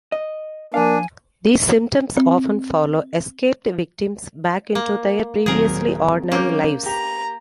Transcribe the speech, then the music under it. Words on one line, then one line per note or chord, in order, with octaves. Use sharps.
These symptoms often follow escaped victims back into their previously ordinary lives.
D#5
F3 A#3 D4 F5 G#5
C4
A#3
D#1 D#3 F#3 A#3 C4 G#4 A#4 D7
A#3 C#4 D6 G6
G4 A#5